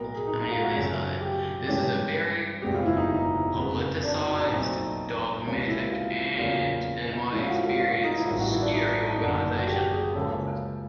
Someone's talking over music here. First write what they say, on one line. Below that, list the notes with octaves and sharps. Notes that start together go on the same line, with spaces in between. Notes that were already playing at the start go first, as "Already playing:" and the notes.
This is a very politicised, dogmatic, and in my experience scary organisation.
Already playing: B1 A2 F#3 B3 A#4
G#4
D#4
D#4
F4
F#4
F#2 C#3 F#3 A3 C#4
G4
G2 E3 G#3 C#4 G4
F#1 E2 B2 G#3 C4 G4
F4
E4
D#4
D#4
F2 C#3 F#3 B3
D4
D#4
D#4
D4
B1 A#2 F#3 A3 C4 D#4
C#2 C3 F3 A#3 C#4
E4
F4
E2 C#3 F#3 A#3 C#4 F4
G#2 F3 A3 C#4 E4
F4
F#4
F4
F4
F4
D#4
E4
A1 G2 D#3 G3 F4
F#4
E4
D4
D#4
D#4
F#1 F#2 D3 F#3 A#3 D4
F#4
G4
G#4
C#2 C#3 F3 A#3 C#4 A4